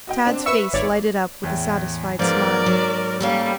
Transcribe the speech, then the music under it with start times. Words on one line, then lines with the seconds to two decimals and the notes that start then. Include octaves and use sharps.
Tad's face lighted up with a satisfied smile.
0.07 F#4 D#5 G5
0.25 C4 D4
0.46 B4 E5 C#6 E6
0.73 G#1 C#5 D5
1.43 E2 A2
2.19 G#2 F3 B3 A#4 D5
2.66 F#3
3.20 G3 A#3 C#4 A4